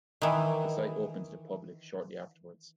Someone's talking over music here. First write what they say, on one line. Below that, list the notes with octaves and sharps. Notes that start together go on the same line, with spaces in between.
The site opened to the public shortly afterwards.
D#3 E3